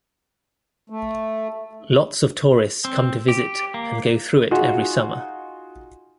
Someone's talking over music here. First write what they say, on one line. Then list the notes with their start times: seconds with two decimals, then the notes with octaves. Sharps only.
Lots of tourists come to visit and go through it every summer.
0.90 A3
2.85 C4
3.28 G4
3.74 A#3
4.51 D#4 F4 F#4 G#4 D#5